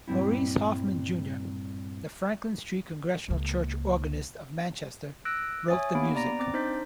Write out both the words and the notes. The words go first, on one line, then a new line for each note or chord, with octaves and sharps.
Maurice Hoffman, Junior the Franklin Street Congregational Church organist of Manchester, wrote the music.
G2 A#2 G3 C4 E4
C#2 A#3
E6 F#6 A#6 D7
C#5 E5 G#5 D#6 A6
A#3 B3 D4 G4 B5 D7
B3 D5 A#5 A#6 D7
C4 D6 A6
D4 D#4 C5 D#5 G6 B6